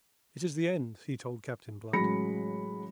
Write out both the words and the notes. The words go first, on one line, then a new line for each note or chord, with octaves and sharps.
"It is the end," he told Captain Blood.
A1 F#3 G#3 B5 A#6 C#7